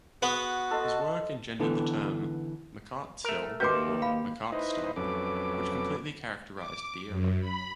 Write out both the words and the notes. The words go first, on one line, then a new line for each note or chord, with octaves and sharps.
His work engendered the term "Makartstil", or "Makart style", which completely characterized the era.
B3 F#4 G#4 B4
A4 D#5 C6
D3 E3 B3 A4
A3 A#4
D#2 F#4 B4 C6 D6 G6
F5 B5
D#4 E4 B4 C5 D#5
F2 F#3 C#4 A4 B4 D6
D6
F#2
B5